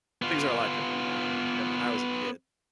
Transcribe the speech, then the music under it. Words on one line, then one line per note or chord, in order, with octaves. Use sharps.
Things are a lot different now than than when I was a kid,
B3 F4